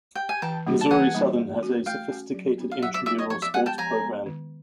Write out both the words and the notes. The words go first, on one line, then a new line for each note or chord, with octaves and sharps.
Missouri Southern has a sophisticated intramural sports program.
G5
G#5
E3 G5 A5
G3 A#3 D#4 F#4
A5
E3 F#5 G#5
G3 A#3 D#4 F#4
A3
C#4 F#4
A3 F5 G5
C#4 F#4
F#3
B3 D#4 F#4
F5
F#3 E5 F#5
D5 E5
B3 D#4 F#4 D5 E5
C#5 D#5
F3 C#5
D5 E5
G#3 B3 F#5 G#5
G5 A5
F3 G#5 A#5
G#3 B3
D#3